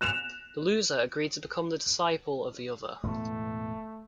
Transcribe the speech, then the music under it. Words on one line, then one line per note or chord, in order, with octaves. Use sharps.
The loser agreed to become the disciple of the other.
F#6 E7 F7
E1 A2 A3 B3